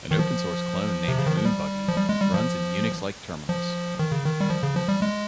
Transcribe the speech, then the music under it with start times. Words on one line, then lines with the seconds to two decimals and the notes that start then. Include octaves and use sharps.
An open-source clone named "moon-buggy" runs in Unix-like terminals.
0.11 D#3
0.19 F3
1.08 C3
1.18 C#3
1.27 D#3
1.36 F3
1.45 G3
1.88 F3
1.96 G3
2.09 G#3
2.21 G3
2.34 F3
3.49 F3
3.99 D#3
4.12 C#3
4.25 D#3
4.41 G3
4.50 F3
4.63 C#3
4.75 F3
4.89 G3
5.02 G#3